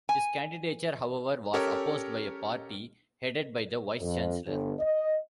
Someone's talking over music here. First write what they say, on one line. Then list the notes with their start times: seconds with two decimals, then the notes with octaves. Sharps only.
His candidature, however, was opposed by a party headed by the vice-chancellor.
0.09 G#5
1.53 C#4 G4 A4 A#4 C#5
4.01 F2
4.47 G1
4.79 D#5